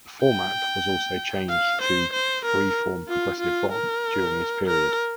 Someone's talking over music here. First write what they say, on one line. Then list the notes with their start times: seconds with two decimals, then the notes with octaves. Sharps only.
The format was also changed to "free-form progressive rock" during this period.
0.23 G5
1.49 F5
1.82 C5
2.13 C5
2.46 A#4
3.09 F4
3.41 F4
3.73 A#4
4.67 A#4